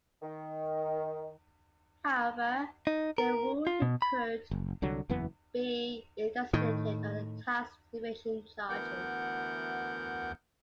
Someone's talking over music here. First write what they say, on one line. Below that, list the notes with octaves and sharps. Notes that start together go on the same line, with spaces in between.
However, they ruled, he could be extradited on the tax evasion charges.
D#3
D#4
A#4
F4
B2
B5
F#1
C2 D3 F#3
F#1 E2 E3 B3
A2 D#3
D2 E3 B3 A#4 F#5 G6